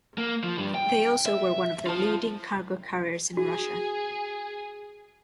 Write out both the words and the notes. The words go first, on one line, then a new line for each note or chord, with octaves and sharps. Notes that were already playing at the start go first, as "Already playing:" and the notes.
They also were one of the leading cargo carriers in Russia.
A#3
F3
G2 G3
G5
E5
F4 A5
F#4 G#4